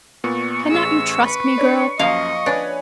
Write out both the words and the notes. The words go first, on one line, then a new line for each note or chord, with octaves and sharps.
Cannot you trust me, girl?
A#2 B3 C#6
A1 G#4 E6
B4
D4 C#5 D5
F#2 F3 A#3 D#5 F5
D4 B4 C#5 G#5